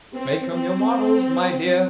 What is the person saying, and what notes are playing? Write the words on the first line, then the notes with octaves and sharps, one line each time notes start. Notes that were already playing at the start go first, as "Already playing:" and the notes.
Make 'em your models, my dear.
C4
C4